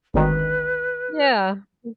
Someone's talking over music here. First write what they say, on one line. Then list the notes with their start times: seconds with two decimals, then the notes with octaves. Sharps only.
yeah, y
0.14 G#1 D2 D#3 B4